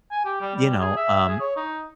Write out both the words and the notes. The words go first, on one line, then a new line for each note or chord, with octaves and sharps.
you know, um
G#5
G4
G3
G3
G#4
E5
G#4
C#5
D#4